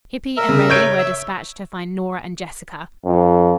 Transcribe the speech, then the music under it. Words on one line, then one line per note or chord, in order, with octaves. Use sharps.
Hippy and Reddy were despatched to find Nora and Jessica.
A#4 E5
C#3
C#5 G6 D7
E5
F2